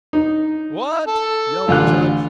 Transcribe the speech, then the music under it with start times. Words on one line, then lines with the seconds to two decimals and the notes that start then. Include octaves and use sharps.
"What!" yelled the Judge.
0.13 D#4
1.07 A4
1.68 A1 D3 F4 F#6